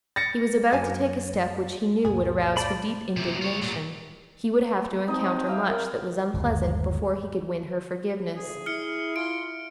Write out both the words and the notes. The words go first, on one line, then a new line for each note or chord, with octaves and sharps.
He was about to take a step which he knew would arouse her deep indignation; he would have to encounter much that was unpleasant before he could win her forgiveness.
A6 A#6 C#7
F#2 F#3 F5 G#5 A5
C#2 F#2 A#2 G#4
C5 D5 A5 B5
C3 A#3
F4 C#5
A#2 F#3
C4 D#4 D#5 A5
E5 F5 G5
A#4
G1 D#2 G#3
D2 A2 C#3 G#4
E4 F6 C#7
F4 D7